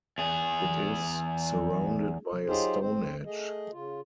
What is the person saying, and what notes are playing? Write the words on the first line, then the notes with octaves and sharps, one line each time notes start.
It is surrounded by a stone hedge.
E2 G#4
F#3 D#4 F4 G4 G#4 C5
C4 C5
A3 G#4 D#5
C#3 F4